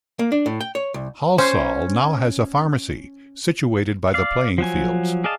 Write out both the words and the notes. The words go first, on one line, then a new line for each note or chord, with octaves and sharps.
Halsall now has a pharmacy, situated by the playing fields.
A#3
D4
A2
G5
C#5
C2
C#4 C5
D5 F5
F3 F#3 G#5
G#4 D5 D#5 F5 A5